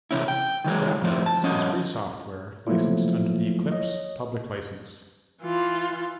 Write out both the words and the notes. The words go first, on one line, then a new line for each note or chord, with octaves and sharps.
Graphviz is free software licensed under the Eclipse Public License.
C3 E3 C#4 E4
G5
D#3 E3 F#3 G#3
F2 A2 F3 E4
A5
G2 F3 C#4 D#5
F3 F#3 A3 A#3 E4 F4
C#5 D#5
E3 F4